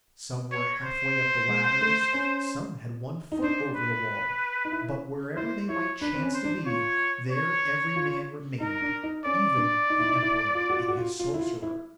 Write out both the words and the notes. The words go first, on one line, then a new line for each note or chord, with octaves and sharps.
Some were half way up the ladders, some had one foot over the wall, but wherever they might chance to be there every man remained, even the emperor and his sorcerer.
C#5
C5
G#3
A3
C#4
D#4
D4 C5
B4
D#4
E4
E4 C5
E4 C#5
D4 B4
C4
C#4
C5
D4
F4 C#5
C#5
F4
D#4 A#4
D4
D#4
C#4 D5
D4
D#4
E4
D#4
E4
F4
F#4
F4
F#4
F4
F4
E4
F4
E4